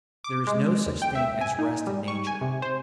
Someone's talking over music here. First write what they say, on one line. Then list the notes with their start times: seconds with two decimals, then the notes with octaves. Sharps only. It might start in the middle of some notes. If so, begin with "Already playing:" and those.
There is no such thing as rest in nature.
0.24 D6
0.47 G#3
0.86 D#2
1.02 G5
1.15 E5
1.41 G#5
1.59 D#4
1.87 G3
2.08 C#6
2.27 G#5
2.41 C3
2.62 C5